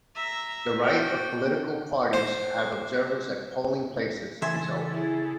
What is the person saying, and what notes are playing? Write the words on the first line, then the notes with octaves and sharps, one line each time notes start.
The right of political parties to have observers at polling places is old.
E5 A#5
F#4 G5
C5
C#3 E3 A4 E5 G#5 C6
E4 G#4